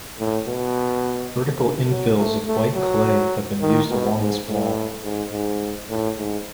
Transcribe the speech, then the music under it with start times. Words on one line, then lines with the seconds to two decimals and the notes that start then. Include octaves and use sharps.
Vertical infills of white clay have been used along this wall.
0.19 A2
0.47 B2
1.90 F#3
2.18 A3
2.47 A3
2.75 F#3
3.62 D#3
3.90 B2
4.18 G#2
4.47 A2
5.03 G#2
5.32 G#2
5.90 A2
6.18 G#2